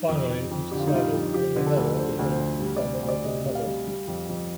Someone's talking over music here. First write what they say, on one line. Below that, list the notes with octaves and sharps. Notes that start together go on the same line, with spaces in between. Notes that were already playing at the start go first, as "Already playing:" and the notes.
Finally it is decided that Murbella is ready to become a Reverend Mother.
Already playing: D#4
F2
F2
F2
D3 G4
F4
D#4
G3 F4
F2
F3 G4
D3
A4
D2
D3 C5
D2
C5
D2
G3
D5
G3
C5
D2
D5
C3 D#5
C3
F5
G3
G3
F2
F2